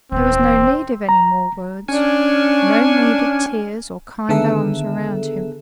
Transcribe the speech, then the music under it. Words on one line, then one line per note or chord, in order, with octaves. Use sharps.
There was no need of any more words, no need of tears or kind arms around him.
D#1 E3 C4
A#5
C#4 D4 G#5
D3 D#3 B3 G#4 A4 E5